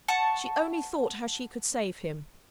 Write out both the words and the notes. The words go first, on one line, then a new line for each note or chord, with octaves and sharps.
She only thought how she could save him.
F#5 A5 C#6